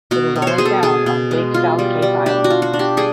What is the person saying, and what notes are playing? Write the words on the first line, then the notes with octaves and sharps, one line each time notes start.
It is only found on Big South Cape Island.
B2 F#4
B2
C5 C#5
B2 G#4
A4
B2 G#4
B2
G#3
F4
G3
G3
D4 G4
F#4
F4
F#4
D4
G4
G3 G#4